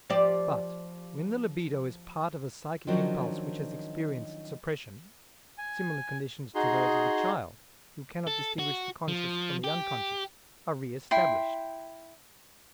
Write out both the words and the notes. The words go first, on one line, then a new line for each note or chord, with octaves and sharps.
But when the libido is part of a psychic impulse which has experienced suppression, similar conditions to those of the child, who cannot distinguish the conscious from the unconscious, are reestablished.
F3 G4 D5
D#3 F3 F#3 C#4 D4 A#4
G#5
D#4 F#4 G#4 A#5 C6
A4
F#4
F3
G4
E4 G5 C6